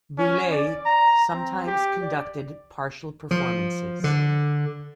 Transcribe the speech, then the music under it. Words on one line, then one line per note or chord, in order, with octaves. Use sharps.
Boulez sometimes conducted partial performances.
C#4
D5
A#5
C4
G4
D5
F3
D3